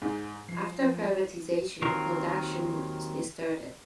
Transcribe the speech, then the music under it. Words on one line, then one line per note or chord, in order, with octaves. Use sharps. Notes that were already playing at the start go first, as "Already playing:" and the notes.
After privatisation, production restarted.
G#2
F3 C7
D#2 D#3 F#3 C4 F4 A#4